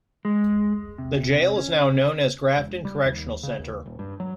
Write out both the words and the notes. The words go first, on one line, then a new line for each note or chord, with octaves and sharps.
The jail is now known as Grafton Correctional Centre.
G#3
C3
C#4
E1
G3
D#2
C#3
D#2
D#1
G2
F#3